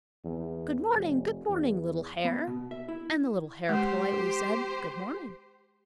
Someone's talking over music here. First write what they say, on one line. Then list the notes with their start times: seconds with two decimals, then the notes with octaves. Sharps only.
'Good morning! good morning, little hare,' and the little hare politely said, 'Good morning.'
0.24 E2
0.92 F1
1.49 E2
2.25 B3
2.47 B2
2.71 E5
2.88 E4
3.69 G#3 G4 C5